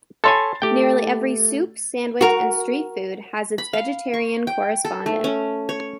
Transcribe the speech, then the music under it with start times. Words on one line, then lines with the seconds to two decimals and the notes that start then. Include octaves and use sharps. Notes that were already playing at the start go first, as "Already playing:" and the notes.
Nearly every soup, sandwich and streetfood has its vegetarian correspondent.
0.24 A4 C#5 G#5 B5 C6 A6
0.62 A3 G4 G5
2.21 F#4 A#4
3.58 B5
3.73 F5
4.14 C#6
4.47 G5
4.85 A4
5.06 A3
5.24 C#4
5.69 C#5